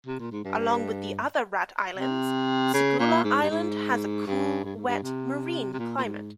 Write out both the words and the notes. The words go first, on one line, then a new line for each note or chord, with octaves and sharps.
Along with the other Rat Islands, Segula Island has a cool, wet, marine climate.
C3
A#2
G#2
G2
C3
C#3
A#2
G#2
G2
G#2
G2
G2
G#2
G2
C3
C3
A#2
A#2
G#2